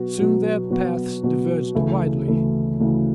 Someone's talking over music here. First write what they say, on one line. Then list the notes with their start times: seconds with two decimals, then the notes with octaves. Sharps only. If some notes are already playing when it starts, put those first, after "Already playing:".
Soon their paths diverged widely.
Already playing: B2 F#3 B3 F#4
0.18 B2 F#3 B3 F#4
0.70 B2 F#3 B3 F#4
1.23 B2 F#3 B3 F#4
1.75 D2 C#3 E3 A3 E4
2.27 D2 C#3 E3 A3 E4
2.80 D2 C#3 E3 A3 E4